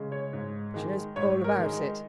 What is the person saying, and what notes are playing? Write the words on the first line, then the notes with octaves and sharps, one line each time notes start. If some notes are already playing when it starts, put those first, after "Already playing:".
She knows all about it.
Already playing: C#3 G#3
C#5
G#2
D#3 G#3
G#2 C#5
A#4
D#3 G#3
D#4